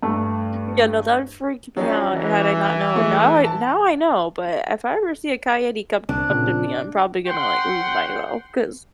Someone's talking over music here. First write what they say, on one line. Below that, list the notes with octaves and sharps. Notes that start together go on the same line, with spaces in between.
Yeah, no, that would freak me out had I not known. Now I Now I know, but if I ever see a coyote come t up to me, I'm probably gonna, like, lose myself 'cause
G2 A3
F2 F#3 C#4 D4
E3
G#3 A3
A5
C2 D4 D6
A#2 C#3 C4
C#4 F#5 G5 C6